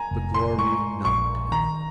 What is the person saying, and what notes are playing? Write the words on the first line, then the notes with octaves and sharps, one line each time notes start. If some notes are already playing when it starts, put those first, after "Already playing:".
The glory numbed him.
Already playing: G#5 A#5
F1
C6
G#3 C#6
A#1 C#6
D#3 A#5